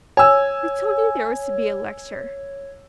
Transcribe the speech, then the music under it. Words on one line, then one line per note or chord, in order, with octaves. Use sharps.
"Who told you there was to be a lecture?"
C#5 G#5 E6